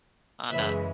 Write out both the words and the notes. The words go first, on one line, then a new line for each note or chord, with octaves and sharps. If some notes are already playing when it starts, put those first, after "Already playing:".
on a
F#2 C#3 E3 G#3 B4 E5